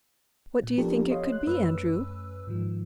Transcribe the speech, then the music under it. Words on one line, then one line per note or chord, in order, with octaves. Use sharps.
"What do you think it could be, Andrew?"
A#2
F3 B3 D4 G4 A4 A#4
C#5 D#5 F5 C6
F#6
F#2 A3 C#4 B4 E6
G#2 D#3 F3